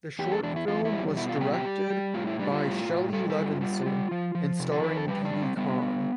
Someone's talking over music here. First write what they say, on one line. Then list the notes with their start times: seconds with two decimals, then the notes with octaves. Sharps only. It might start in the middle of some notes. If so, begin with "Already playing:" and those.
The short film was directed by Shelley Levinson and starring Didi Conn.
0.19 E2 G4
0.32 A4
0.43 E2 D4
0.56 E4
0.68 E2 F4
0.85 E4
0.92 G3
1.17 B2 E4
1.29 F4
1.41 G3 G4
1.53 G4
1.65 G3
1.90 G3
2.14 A2 F4
2.27 E4
2.40 G3 D4
2.52 F4
2.64 A2
2.89 A2
3.13 G3 A4
3.30 A4
3.37 G2
3.45 F4
3.61 G3 F4
3.86 G3
4.11 F3
4.35 F3
4.60 C3
4.72 A4
4.84 F2 B4
4.96 A4
5.08 G3 B4
5.25 D4
5.33 G3
5.42 C4
5.57 G3 B3
5.82 G3